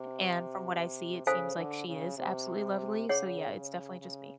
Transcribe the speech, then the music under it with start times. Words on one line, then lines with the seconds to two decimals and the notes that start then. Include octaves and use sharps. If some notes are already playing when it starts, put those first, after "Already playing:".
and from what I see, it seems like she is absolutely lovely, so, yeah, it's definitely just me.
Already playing: C3
1.26 C#3 A4 C5 F5 G#5
1.56 D3
1.87 C#3
2.18 C3
3.09 C#3 G#4 C#5 F#5
4.01 C#3